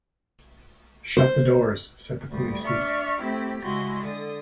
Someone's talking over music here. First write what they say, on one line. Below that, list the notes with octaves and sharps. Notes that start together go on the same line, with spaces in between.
"Shut the doors," said the policeman.
C5
D2 G2 G3 D#6
D4 E5 C#6 F6
A3 C4 E4 G4
C#3 G#3 E4 F#4 C6 A#6
D3 A4 D#6